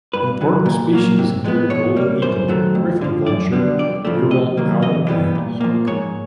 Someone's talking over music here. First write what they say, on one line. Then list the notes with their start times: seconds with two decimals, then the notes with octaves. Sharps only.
Important species include golden eagle, griffon vulture, Ural owl and hawk.
0.13 G2 B4
0.41 D#3 F#3
0.66 A#2
0.93 F#3 A#3
1.19 C3
1.44 F3 G#3 B3
1.70 B2 C#5
1.96 G3 A#3
2.22 F#2 C5
2.48 D#3 F#3 A3
2.75 F2
3.01 D3 F3
3.26 F#2 D5
3.52 D3 G3 B3
3.79 F2 D5
4.05 C#3 F3 A3
4.31 C3 D#5
4.57 D#3 F#3 A#3
4.82 E2 D#5
5.08 C3 E3 G3 B3
5.35 A#2
5.61 F3 A#3
5.87 G#2 C#5